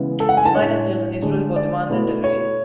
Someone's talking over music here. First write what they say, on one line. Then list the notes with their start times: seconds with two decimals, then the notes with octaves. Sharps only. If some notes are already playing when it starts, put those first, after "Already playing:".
The United States and Israel both demanded their release.
Already playing: C#3 E3 G#3 B3
0.20 A4
0.29 F#5
0.37 G#5
0.45 A5
0.54 A2 G#3 D4 C#5
1.22 D3 G#3 D4
1.56 D5
1.89 B2 A3 E4
2.24 C#5